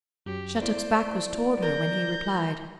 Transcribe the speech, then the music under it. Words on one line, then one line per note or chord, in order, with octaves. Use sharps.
Shattuck's back was toward her when he replied.
F#2 F#3 G4
A3 B3 E4 C5 D5
A#4 G6 A#6